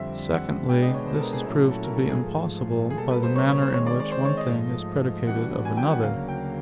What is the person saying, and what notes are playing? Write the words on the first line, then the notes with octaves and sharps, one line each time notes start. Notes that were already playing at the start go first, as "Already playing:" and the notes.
Secondly, this is proved to be impossible by the manner in which one thing is predicated of another.
Already playing: F2 D3 G3 C4 E5
F#5
B2 G#3 B3 D4 G5
D#5
C#5
C5
A4
A#4
G#4
A#2 F#3 A3 C#4 E4 A4
A4
A#4
A4
G#4
G#2 F3 A3
G#4
B2 G3 A#3 A4
B4
C5
C#5
C#5
C5
D#3 G#3 C4 C#5
D5
D5
C5
C#5
D#5
G#2 F3 A3
E3 G3 B3 D4 F#4 F#5
G#5
G5
F#5
D2 C#3 F#3 A#3 F5
G5